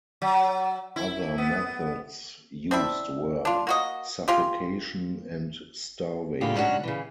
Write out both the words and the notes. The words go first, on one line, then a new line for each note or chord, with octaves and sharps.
Other methods used were suffocation and starvation.
F#3
E4
B3
C4 D4 E4 E5
D4 F4
A#3 F#4 D#5
G#3 F4 G4
E2 A2 C#3 A#3 F4 G4
G#2 C#4 D4 F#4
C#3 E3